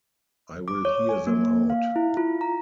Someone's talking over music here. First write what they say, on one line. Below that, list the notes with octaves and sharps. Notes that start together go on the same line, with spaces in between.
I will hear them out.
D6
C#5
G#5
A#3
F5
E4
F4
A#5